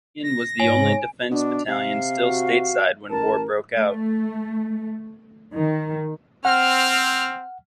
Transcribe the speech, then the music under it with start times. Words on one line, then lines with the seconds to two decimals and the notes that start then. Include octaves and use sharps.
The battalion was the only defense battalion still stateside when war broke out.
0.23 A#6
0.60 G#2 C#5 G#5
1.31 B2 D4
1.68 C3 F5
2.27 F#4
3.11 A1 A#4 A5
3.76 A3
5.55 D#3
6.45 C4 F#5 F6